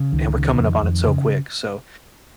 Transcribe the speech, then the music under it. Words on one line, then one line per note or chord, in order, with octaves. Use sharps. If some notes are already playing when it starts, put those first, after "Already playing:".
and we're coming up on it so quick, so,
Already playing: C#3
C#2 D#3
C#3
F2
F2
C#3